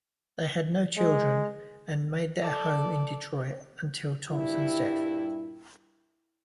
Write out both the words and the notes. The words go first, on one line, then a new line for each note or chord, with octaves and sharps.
They had no children and made their home in Detroit until Thompson's death.
G#3
A4 D5
G2 A#2 G3 E4